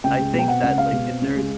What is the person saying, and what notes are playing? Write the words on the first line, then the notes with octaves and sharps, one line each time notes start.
I think that, like, if there's
C#2 G5
G#3
B2
G5
C4 F#5
C#2 F#5
G#3 F5
B2
C4
C#2
G#3